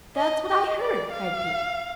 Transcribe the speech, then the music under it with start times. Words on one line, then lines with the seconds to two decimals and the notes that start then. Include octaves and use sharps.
"That's what I heard," cried Peter.
0.16 D#5
0.48 D#5
0.80 D5
1.11 F5